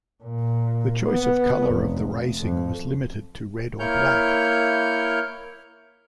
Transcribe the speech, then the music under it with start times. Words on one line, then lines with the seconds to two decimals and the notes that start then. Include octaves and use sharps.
The choice of colour of the Racing was limited to red or black.
0.24 A#2
1.05 B3
1.68 F1
2.41 F2
3.79 A#3 E4 A#4 C#5 F6 G6